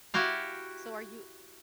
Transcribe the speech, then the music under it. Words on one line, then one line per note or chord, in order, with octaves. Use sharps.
so are you
E4 F#4 G4 F5